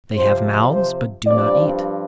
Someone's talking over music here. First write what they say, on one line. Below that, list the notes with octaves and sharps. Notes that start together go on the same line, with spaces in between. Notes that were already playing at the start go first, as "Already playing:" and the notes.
They have mouths, but do not eat.
C3 F3 C4 C5
C5
G2 F3 C4 D5